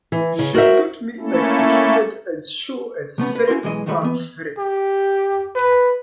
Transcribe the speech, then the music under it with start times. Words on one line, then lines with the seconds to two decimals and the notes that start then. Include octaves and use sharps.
She’ll get me executed, as sure as ferrets are ferrets!
0.12 E3
0.39 C#3
0.55 F#4 A#4 C5 E5
1.20 A3 A#3 C#4 E4 A4
3.18 C3 A3 B3 C#4
3.35 B4
3.48 C#4 E4 F#4 C6
3.63 B1 E3 G#3 D#5
3.86 G2 D#3 G#3 A3 B5
4.02 E3 B3
4.58 G4
5.55 B4